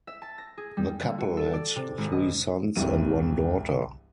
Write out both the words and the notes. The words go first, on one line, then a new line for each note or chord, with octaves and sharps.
The couple had three sons and one daughter.
E5
A5
A#6
G#4
G3
D3
F#4
A4
D5
C3
G#1
D#5
E1 C2 G2 E3 D#7